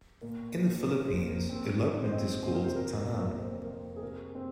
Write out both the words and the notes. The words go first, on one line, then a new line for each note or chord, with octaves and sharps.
In the Philippines, elopement is called "tanan".
A#2 A#4
A#3 G#4
C5
A#2 A#4
C5
A#3
A#4
C4
G#3
C5
C4 D#5
C3 C5
A#4
C5
F2 A#4
A#4
A#3
A#4
F2 C5
A#4
F2 C5
G#4
C3 A#4
C4 C5